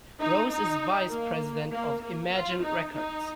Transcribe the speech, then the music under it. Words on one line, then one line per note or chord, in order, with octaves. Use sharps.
Rose is vice president of Imagen Records.
D#4
D#4
A#3
A#3
A#3
F4
D#4
D#4